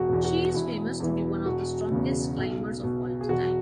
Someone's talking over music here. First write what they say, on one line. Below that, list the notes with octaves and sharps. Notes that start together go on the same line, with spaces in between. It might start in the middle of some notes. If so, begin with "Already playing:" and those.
She is famous to be one of the strongest climbers of all time.
Already playing: E1 F#4
E2 B2
F#4
E1 E4
E2 E3
E1 F#4
E2 C#3
B1
B2
G#4
E1 F#4